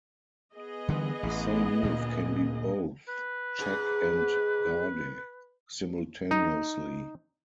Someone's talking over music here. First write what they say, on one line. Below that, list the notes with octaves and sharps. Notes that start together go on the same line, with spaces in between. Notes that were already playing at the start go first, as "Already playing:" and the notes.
The same move can be both "check" and "garde" simultaneously.
B3 G#4 D#5
D3 E3 G3
A1
D2 A#2
B4
G#2 G#4
D#4